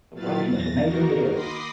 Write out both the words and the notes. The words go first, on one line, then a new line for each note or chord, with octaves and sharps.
The World's Most Amazing Videos!
A#2 F#3 E4 B4 F5 A6
E2 A6 A#6
D#3 A#3 D#4 F#4 A#4
B5 C6 D6 D#6 A#6 C7